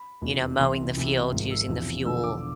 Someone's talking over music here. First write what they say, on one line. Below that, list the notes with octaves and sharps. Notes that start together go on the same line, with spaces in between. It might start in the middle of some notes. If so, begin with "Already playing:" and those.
you know, mowing the fields, using the fuel,
Already playing: B5
F1 E2 B2
C2 C3 E3 C6
C2 C3 E3
G#1 G#2 F3
E6
E1 E2 C3 F3
E1 E2 D3 F3 E6
D6